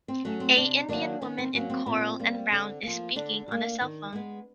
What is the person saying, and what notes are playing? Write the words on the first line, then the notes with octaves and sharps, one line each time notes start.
A Indian woman in coral and brown is speaking on a cellphone.
C4
F#3 A3 C#4
C4
C3 D4
D#3 F#3 A#3 D4
D#3 C#4
C4
F#3 A#3 C#4
C4
A#2 C4
G3 A#3
D3
F3 A#3
D3 D4
F#3
A#3
D#3
G#3 B3